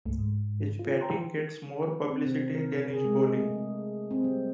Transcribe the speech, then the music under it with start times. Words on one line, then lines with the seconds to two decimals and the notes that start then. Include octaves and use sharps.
His batting gets more publicity than his bowling.
0.05 C#2 G2 A3
0.18 G#2
0.79 F4
1.01 G5 A#5 C6
2.10 C4
2.26 C3
2.54 A#4
2.90 G#4
3.05 G#3
3.39 A3
4.11 C4
4.24 G3